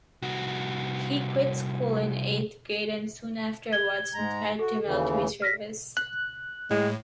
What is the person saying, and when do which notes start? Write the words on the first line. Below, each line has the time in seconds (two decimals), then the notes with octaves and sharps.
He quit school in the eighth grade and soon afterwards entered into military service.
0.22 C2 F#4
3.72 G#6 G7
4.14 G#2 G#3 A#5
4.59 F#4 A4
4.85 D#2 C#3 E3
5.42 F6 A#6 B6
5.97 F#6
6.71 A2 G#3